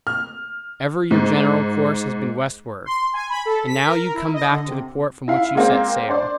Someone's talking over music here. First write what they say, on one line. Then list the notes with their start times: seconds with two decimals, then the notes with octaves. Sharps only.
Ever your general course has been westward; and now you come back to the port from which you set sail.
0.07 F6
1.11 G#2
2.86 C6
3.13 G#5
3.29 B5
3.45 A4
3.67 B6
3.86 A#4
4.14 E4
4.34 D#5
4.51 D3
4.67 C3
5.28 E4 F5
5.55 G#3 A#3 C4
6.09 D4 C5 D5